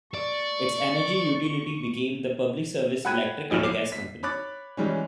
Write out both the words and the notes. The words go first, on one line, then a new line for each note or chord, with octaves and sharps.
Its energy utility became the Public Service Electric and Gas Company.
D5 C#6
F#5 G5 B5 F#6 G#6 D#7
D2 A2 F3 F#3 C#5 F6
D6 C7
B6
C#5 B5 D6 F#6 A6
E3 G3 G#3 C#4